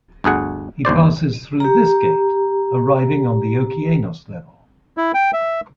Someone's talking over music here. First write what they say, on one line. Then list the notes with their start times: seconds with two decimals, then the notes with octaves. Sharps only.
He passes through this gate, arriving on the Okeanos level.
0.24 G1 D2 G#4 F#5
0.85 G1 D#2 C5 D5
1.60 G4 A#5
4.97 E4
5.14 G5
5.33 E5